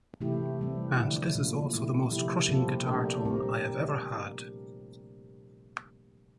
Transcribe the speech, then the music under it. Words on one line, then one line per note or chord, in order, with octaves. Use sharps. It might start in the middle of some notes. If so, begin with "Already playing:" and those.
And this is also the most crushing guitar tone I have ever had.
C3 E3 A3 E4 G4
E3 G3 C4
D3 F3 A3 E4
A#2 A3 D4 F4
A#2 A3 E4
C3 F3 A#3 E4 G4
A#2 G3 C4 F4 A4
A3 D4 G4 A#4
A#2 G3 C4 G4 A#4